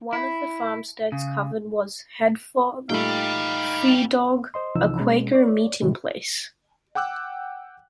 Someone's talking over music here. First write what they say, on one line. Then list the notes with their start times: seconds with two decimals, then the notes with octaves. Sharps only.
One of the farmsteads covered was Hafod Fadog, a Quaker meeting place.
0.13 E4
1.12 C#3
2.90 A#2 G3 A3 D#4 F5 G5 B5
4.54 C5 D#5 C6
4.75 C2 C3 E3 F3 D#4 E6
4.99 B2 G#3 C#4
5.33 C#5 D5
5.81 A2 C3 D#3 E3 G3 G#3
6.95 F#5 G5 D6 E6 F#6